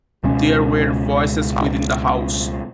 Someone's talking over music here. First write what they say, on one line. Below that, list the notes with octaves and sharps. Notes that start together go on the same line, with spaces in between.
There were voices within the house.
C#2 B2 G#3 C#4